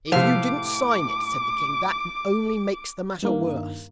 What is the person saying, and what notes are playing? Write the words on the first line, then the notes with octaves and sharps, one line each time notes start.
'If you didn't sign it,' said the King, 'that only makes the matter worse.
A2 C3 F3 F5 D6
G2 D#3 A#3